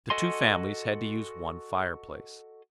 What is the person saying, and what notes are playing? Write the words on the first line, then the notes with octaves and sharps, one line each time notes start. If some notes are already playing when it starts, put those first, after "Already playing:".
The two families had to use one fireplace.
F#4 A4 D#5 G#5 C6